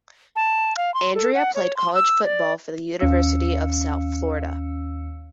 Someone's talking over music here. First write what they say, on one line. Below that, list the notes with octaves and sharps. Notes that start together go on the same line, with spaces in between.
Andrea played college football for the University of South Florida.
A5
F5
C6
A4
F#5
C#5
C6
E6
D5
D#2 C#4 F5 E6 C#7